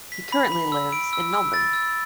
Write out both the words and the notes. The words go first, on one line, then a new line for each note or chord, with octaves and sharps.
He currently lives in Melbourne.
B6
B5
B5
E6
D7
E6
E6
A6
E6